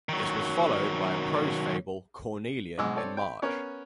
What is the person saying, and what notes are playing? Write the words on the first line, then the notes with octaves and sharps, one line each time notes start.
This was followed by a prose fable, "Cornelian", in March.
D#3 F#3
B1 G#2 B2 G#3 D6 E6
C4 A4 C#5 D5
G5 B5
B3 C#4 A#4 B4 C#5